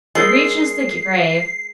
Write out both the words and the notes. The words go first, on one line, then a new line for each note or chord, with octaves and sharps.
He reaches the grave.
G#3 A#4 C#5 D#5 C7